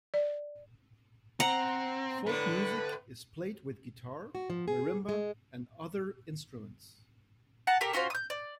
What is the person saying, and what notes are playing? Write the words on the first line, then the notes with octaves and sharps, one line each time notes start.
Folk music is played with guitar, marimba and other instruments.
D5
C4 F#5 A#5
A2 D3 B4
F#4
F3
G#4
G#3
F#5 A5 A#5
G4 A4 A#4
C#4 F4 F#4 C5
D#6 G6
D5